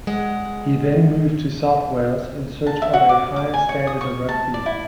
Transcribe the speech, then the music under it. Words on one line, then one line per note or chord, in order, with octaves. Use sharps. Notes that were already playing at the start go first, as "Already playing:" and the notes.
He then moved to South Wales in search of a higher standard of rugby.
G#3 F#5
A5
E5
F#4
D6
D6
G#5
C#5
D#6
C#6
A5
D5
E4